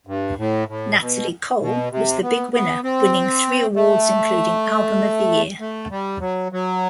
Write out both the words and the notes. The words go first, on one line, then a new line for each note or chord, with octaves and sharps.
Natalie Cole was the big winner winning three awards including Album of the Year.
G2
A2
A2
B2
B2
C3
B3
B3
C4
A3
A3
G3
F#3
F#3